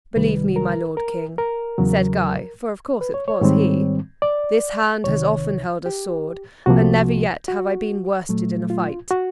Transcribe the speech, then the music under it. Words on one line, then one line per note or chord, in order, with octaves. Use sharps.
"Believe me, my Lord King," said Guy, for of course it was he, "this hand has often held a sword, and never yet have I been worsted in fight."
C2 C3 D#3 G3 B4
A#4
A#4
A#4
E2 C#3 F#3
B4
C#5
C#5
G#2 D#3 G3 C4
D5
C2 C3 D#3 C#5
G4
C2 C3 F3 A#3 F#4
F#4
A#2 F#3 A3
F4
F#4